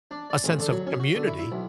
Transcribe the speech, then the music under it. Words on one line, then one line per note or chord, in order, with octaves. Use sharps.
a sense of community,
D4
D5
A1
D3
F#3
C#4
F#4
D3
E4
E4
B1